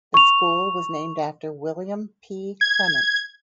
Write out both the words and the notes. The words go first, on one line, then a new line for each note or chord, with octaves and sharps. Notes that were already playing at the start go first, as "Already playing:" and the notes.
The school was named after William P. Clements.
C#6 F7
G#6